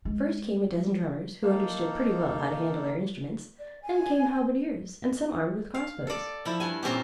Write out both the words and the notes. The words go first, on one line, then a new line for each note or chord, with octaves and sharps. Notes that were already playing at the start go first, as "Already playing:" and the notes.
First came a dozen drummers, who understood pretty well how to handle their instruments; then came halberdiers, and some armed with cross-bows.
G#3
A#3 D#4 A4 F5 E6
D5
G#5
F5
A4 D5
F3 E4
G2 G#5
A#2 C4 C#4 G4